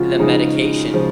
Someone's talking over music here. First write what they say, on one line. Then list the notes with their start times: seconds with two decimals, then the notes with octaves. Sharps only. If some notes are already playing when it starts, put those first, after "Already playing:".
And the medication.
Already playing: C#3 F3 G#3 F4 F#4
0.19 C#3 F3 G#3 D#4
0.94 C#3 F3 G#3